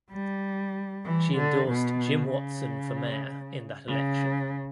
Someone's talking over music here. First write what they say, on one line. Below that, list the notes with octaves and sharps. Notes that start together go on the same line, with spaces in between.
She endorsed Jim Watson for mayor in that election.
G3
E3
D3
B2
C#3
C#3